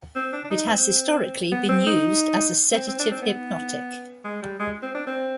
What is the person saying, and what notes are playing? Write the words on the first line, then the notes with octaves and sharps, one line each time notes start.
It has, historically, been used as a sedative hypnotic.
C4
D4
D4
D#4
C4
B3
C4
D#4
C4
C4
D4
C4
B3
G#3
G3
G#3
C4
D4
C4